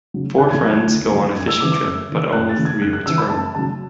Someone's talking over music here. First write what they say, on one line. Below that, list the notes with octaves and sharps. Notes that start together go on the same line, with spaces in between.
Four friends go on a fishing trip but only three return.
C#3 F#3
D2 F#6
G#6
D3 F#3 F#6
G#6
D2
D3 F#3
F#2 G#6
E6
C#3 E3 D6
D6
F#2 E6
C#3 E3
F#2 F#6
A6
C#3 E3
G#6
F#2 F#6
F#6
C#3 E3 E6
B5
F#2 A5
C#3 F#3 A5